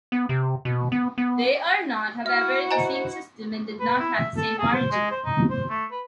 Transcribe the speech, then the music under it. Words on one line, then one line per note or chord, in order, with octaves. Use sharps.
They are not, however, the same system and did not have the same origin.
B3
C3
B2
B3
B3
E4 F#4 E5 F6
C5 D#5 G#5 A#5
B4
E4
E5
A4
G#4
C5
G#3
C5
D#4
C5
A3
B4